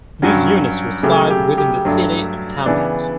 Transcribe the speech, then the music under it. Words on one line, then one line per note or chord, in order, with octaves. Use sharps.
These units reside within the city of Hammond.
G2 F#3 C#4 F#4
C#3 F#3 A3 G4
G4
G4
G2 F#3 A3 D4
C#3 E3 B3 D4